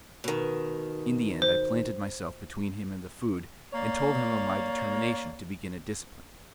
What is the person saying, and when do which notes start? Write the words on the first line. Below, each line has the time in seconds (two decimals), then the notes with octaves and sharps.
In the end I planted myself between him and the food, and told him of my determination to begin a discipline.
0.24 B2 D#3
1.42 C5
3.73 A#3 C#5 D5